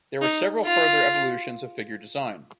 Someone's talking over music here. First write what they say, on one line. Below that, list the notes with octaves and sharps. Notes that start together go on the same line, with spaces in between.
There were several further evolutions of figure design.
D#4
F4